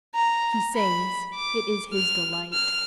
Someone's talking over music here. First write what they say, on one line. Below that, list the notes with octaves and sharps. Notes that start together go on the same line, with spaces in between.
He sings; it is his delight.
A#5
B5
D6
F6
F6